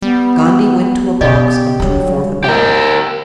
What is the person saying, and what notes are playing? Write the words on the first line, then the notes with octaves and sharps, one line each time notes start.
Gondy went to a box and drew forth a bag.
G3 B3
B2 G4 D5 D#5
D3 F#3 G3
G4 A#4